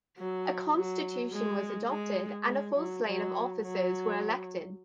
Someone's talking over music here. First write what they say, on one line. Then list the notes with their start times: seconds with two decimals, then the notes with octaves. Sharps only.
A constitution was adopted and a full slate of officers were elected.
0.18 F#3
0.75 F#3
1.32 G#3
1.90 G#3
2.47 G#3
2.76 F#3
3.05 F#3
3.62 F#3